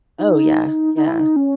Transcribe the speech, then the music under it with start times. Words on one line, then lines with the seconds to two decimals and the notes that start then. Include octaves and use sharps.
Oh, yeah. Yeah.
0.19 D#4
0.97 D#4
1.08 E4
1.19 D#4
1.36 C#4